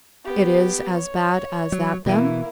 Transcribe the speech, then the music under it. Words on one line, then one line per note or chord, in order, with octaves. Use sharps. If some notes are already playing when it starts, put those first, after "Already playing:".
"It is as bad as that, then?"
B3 G4
C#5
F#3
B2 E3 A#3 E4